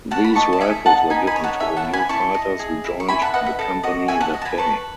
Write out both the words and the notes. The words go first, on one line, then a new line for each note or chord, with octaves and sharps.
These rifles were given to the new fighters who joined the company that day.
F#4 F#5 A5
B5
D#5 A5 C#6
A5
A4 E5 G#5
D#4 F#5 A5
D#4 G#5 B5
G#5 B5
C#5
F#5 A5
A4 E5 G#5
F#5 A5
E4
G#5 B5
E4 A5 C#6
D#5
G#4
E4
C#6
E4 G#5 B5
F#5 A5
B4 D#5 F#5
E5
A4 D#5
F#4 D#5
F#4 E5 G#5
F#5 A5
D#5
A5
G#5 B5
B4 A5 C#6